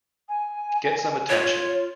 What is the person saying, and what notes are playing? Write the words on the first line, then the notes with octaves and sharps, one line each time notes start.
Get some attention.
G#5
F4 C#5